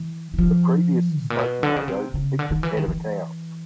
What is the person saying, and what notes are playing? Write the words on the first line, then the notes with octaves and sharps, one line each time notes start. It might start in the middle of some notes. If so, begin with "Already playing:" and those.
The previous station logo depicted the head of a cow.
Already playing: E3
E3
F3
A2
A#2
B2
D3
C#3
C3
C#3
D3
D#3
E3
D#3
E3